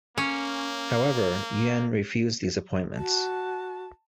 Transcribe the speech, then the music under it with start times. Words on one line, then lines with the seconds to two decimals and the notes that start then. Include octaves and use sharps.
However, Yuan refused these appointments.
0.18 A#3 C#4
2.98 F#4 A5